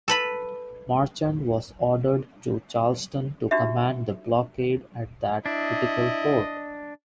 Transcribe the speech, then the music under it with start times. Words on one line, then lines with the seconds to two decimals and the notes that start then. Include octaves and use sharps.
Marchand was ordered to Charleston to command the blockade at that critical port.
0.08 A4 B4 B5
3.51 D4 D#4 F#4 G4 E5
5.46 D4 E4 D#5